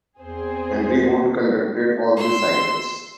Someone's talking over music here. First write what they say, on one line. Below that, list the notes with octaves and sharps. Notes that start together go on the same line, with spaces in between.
Henry Holt conducted all the cycles.
E2 C4 G#4 C5
C6 E6